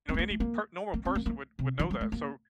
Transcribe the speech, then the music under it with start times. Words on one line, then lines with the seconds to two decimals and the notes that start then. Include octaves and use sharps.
you know any per normal person would would know that, so,
0.09 C4
0.14 A3
0.19 A#3
0.30 A3
0.40 A#3
0.94 A#3
1.05 C4
1.15 A#3
1.26 A#3
1.59 C3
1.79 D#3
1.91 G3
2.01 A3
2.12 A#3